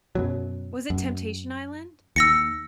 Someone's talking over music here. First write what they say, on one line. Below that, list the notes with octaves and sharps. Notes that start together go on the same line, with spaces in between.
Was it Temptation Island?
F#2 B2 F#3
F#2
D#2 E6 A#6 C#7